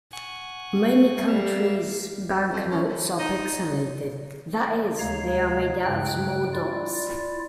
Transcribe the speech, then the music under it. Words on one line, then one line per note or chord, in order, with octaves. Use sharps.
Many countries' banknotes are pixelated-that is, they are made out of small dots.
F#5 G#5 C#6
G3 A#4 E5 F5
F2
C#4
D3
D#4
D2 C3 G#3 C#5 F5 A#5
G2 C#3 G#3 G5 F#6
E4 F4 D5